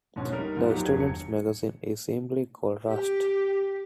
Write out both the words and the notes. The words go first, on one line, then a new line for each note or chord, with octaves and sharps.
The students' magazine is simply called "Rust".
G#2 B2 C#4
G3 D#4 A#4
G#2 F3 B3
F#3 A#3 D#4 G4
E1 G2 D#3 F#3 G#6
C#7
G4